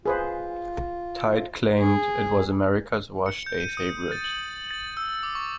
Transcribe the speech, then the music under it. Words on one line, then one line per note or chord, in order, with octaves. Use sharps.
Tide claimed it was America's Washday Favorite.
F4 G#4 B4 C5
G#4
C#7
G6
D#7
D#6
A6
F#7
A6
E6
D6
C#6